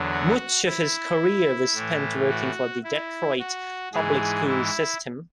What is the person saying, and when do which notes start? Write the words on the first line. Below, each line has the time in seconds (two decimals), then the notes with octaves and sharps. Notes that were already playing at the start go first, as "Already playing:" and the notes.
Much of his career was spent working for the Detroit public schools system.
Already playing: E2 D3 F#3
0.12 F#4
0.66 E4
1.74 A2 E3
2.29 F#4
2.84 E4
3.39 F#4
3.93 G#2 E3 G#4
4.48 E4